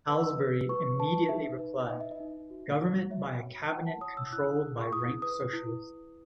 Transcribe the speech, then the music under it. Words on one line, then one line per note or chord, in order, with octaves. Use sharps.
Halsbury immediately replied: "Government by a Cabinet controlled by rank socialists".
B4 E6
B4
B4 C#6
B4 A5
D#4 E5
B4
D#4 D#5
E5
D#5
D#4
F#4
F#4
C#5 E5
F#4
E4 F#5
A5
C#5 D#6
E6
E4 F#6
G#4
C#6
E4 D#6
B4 D#6
E4